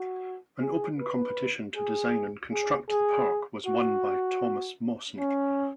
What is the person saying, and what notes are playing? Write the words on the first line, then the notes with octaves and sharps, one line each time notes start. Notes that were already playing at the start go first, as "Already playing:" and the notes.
An open competition to design and construct the park was won by Thomas Mawson.
Already playing: F#4
G#4
B4
G#4
G#4
G#4
F#4
C#4